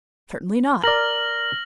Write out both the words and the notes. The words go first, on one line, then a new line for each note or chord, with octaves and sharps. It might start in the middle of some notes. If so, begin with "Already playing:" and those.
"Certainly not."
A#4 D5 F6 A#6 F#7